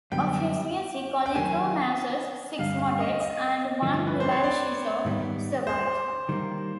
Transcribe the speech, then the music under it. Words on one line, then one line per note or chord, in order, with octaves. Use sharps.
Of his music only two masses, six motets and one villancico survive.
F#2 D3 G3 B3 G5
G5
D#3 F#3 A#3 D4 G4 G#5
G2 D3 G3 F5
F5
D#5
D#5
G2 D3 F3 A3 C4
B4
C5
C#5
D5
G#2 D#3 G3 B3
C5
D#3 G3 A#3